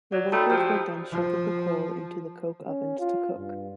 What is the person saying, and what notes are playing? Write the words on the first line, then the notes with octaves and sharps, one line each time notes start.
The workers would then shovel the coal into the coke ovens to cook.
F#3 D5
A3 D#4 F#4 B4 G5 A5
F3 G4 E6
F3
C#4
F4
G2